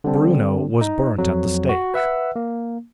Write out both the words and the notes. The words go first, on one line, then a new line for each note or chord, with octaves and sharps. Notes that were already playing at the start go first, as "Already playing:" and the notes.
Bruno was burnt at the stake.
D3 G3 C4 D4
D#4
F2 F#3
F#4
B4 E5 F#5 E6
A#3